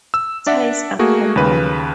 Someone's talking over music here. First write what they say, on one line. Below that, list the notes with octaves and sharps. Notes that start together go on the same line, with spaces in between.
Ties are common.
E6
D4 D5 E5 F#5
A3 A#3 F#4 G#4
D#2 C#3 B4 D#7